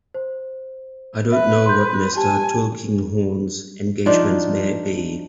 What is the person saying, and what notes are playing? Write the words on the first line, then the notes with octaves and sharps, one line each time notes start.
I don't know what Mr. Tulkinghorn's engagements may be.
C5
B4 E5
C6 G6
G4 G#5 A5
F3 D4 D#4 F4